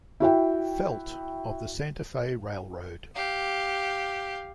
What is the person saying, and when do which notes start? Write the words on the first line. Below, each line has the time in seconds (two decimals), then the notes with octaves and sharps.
Felt of the Santa Fe Railroad.
0.20 E4 F#4 E5 G5
3.15 G4 F5